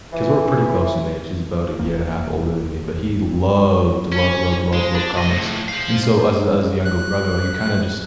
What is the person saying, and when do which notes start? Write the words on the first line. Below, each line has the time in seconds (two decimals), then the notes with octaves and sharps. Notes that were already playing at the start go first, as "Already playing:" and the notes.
'cause we're pretty close in age. He's about a year and a half older than me. But he loved, loved, loved, loved, loved comics. And so as a as a younger brother, like, you kind of just
0.13 E3
1.79 F1 D#2 A#3
4.12 C#4
4.73 G#3
4.94 D4
5.16 B1 D#5
5.30 C#2 A2
5.68 C5 F5
6.85 F#6